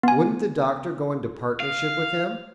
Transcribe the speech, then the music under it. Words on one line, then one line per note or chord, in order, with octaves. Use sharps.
Wouldn't the Doctor go into partnership with him?
B3 G#5
F5